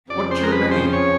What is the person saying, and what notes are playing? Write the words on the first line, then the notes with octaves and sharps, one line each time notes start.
"What's your name?"
F2 C#3 F3 D5
C5
A#4
B4
C5
C#5